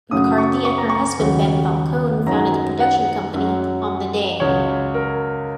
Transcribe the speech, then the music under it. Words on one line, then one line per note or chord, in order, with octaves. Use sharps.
McCarthy and her husband Ben Falcone founded the production company, "On the Day".
F#2 C#3 F#3 D#6
C#6
C#6
A#5
C#6
D#2 C#3 F#3
F#2 D#3 F#3 A#5
F#5
F#2 F#3
C#2 C#3 F#3 C#5
A#4